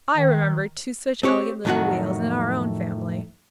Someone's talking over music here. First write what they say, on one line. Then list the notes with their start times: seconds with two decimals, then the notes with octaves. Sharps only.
I remember two such elegant little wheels in our own family.
0.17 D#3
1.23 C4 G4 C#5
1.65 F2 A2 D#3 F#3 F#4 F#5